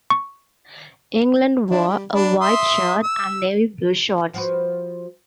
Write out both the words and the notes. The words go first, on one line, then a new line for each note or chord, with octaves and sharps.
England wore a white shirt and navy blue shorts.
C#6
D4 E4
G3
D4 D5 B5
E5 C6 D#6
E6
F3 F#4 B4